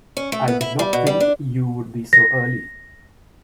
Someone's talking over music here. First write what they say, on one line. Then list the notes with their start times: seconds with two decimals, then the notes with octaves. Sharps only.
I did not think you would be so early.
0.17 C#4
0.32 A3
0.48 B3
0.61 E4
0.79 G3
0.93 B2
1.07 G3
1.20 D4
2.13 A#6